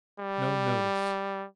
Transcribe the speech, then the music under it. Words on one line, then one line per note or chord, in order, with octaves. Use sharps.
No notice.
G3